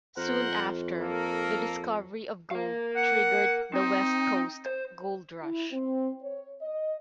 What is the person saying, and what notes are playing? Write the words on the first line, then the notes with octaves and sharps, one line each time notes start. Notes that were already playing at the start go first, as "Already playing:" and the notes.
Soon after, the discovery of gold triggered the West Coast Gold Rush.
F2 A#4 C5 F#5
A#3 A4 A#4
A#4 F5
F#5
C4 D#4
C5
E4
C4
C#5
D#5